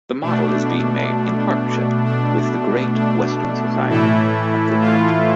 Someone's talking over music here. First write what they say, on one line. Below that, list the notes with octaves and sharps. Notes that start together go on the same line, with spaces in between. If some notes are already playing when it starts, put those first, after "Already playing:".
The model is being made in partnership with the Great Western Society at Didcot.
B2 A3 D4
D4
D4
A2 E3 A3 E4
F4